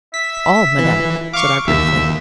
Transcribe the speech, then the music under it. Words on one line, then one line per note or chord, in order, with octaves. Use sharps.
"All, madame," said I, briefly.
E5 B6
E3
F5 C#6 D6
D#2 E5